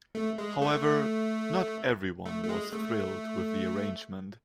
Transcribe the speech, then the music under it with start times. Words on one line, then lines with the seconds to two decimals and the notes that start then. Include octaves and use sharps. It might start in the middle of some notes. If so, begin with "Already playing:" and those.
However, not everyone was thrilled with the arrangement.
0.15 A3
0.38 G#3
0.62 A3
2.26 A3
2.44 A3
2.49 G#3
2.73 A3